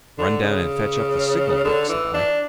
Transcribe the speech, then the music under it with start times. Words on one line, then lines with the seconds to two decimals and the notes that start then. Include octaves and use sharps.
"Run down and fetch up the signal-book," said I.
0.18 D3
0.42 C#3
1.65 D3
1.89 E3
2.14 D4